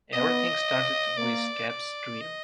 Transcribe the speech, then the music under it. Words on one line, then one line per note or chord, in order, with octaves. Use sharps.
Everything started with Cap’s dream.
B3 D#5
A#3 D5
D5
D#5